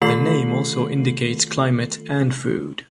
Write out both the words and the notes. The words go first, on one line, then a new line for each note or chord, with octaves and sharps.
The name also indicates climate and food.
D#3 A3 F4 A4 C7 F#7